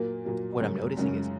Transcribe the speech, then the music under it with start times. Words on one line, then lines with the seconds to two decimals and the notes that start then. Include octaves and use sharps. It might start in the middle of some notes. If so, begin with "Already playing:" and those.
what I'm noticing is,
Already playing: A#2 F#3 A#3
0.25 A#2 F#3 A#3
0.61 F#2 C#3 G#3 C#4
0.97 F#2 C#3 G#3 C#4